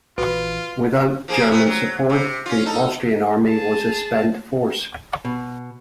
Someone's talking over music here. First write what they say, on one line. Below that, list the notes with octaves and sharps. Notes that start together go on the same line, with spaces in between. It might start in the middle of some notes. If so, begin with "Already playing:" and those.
Without German support the Austrian army was a spent force.
A#1 E3 F4 F#4 B4
F3 A#3 G#4
C3 B3 C4
F#3
C3
C#4 F4
D#4 A4
G#4 A5
B2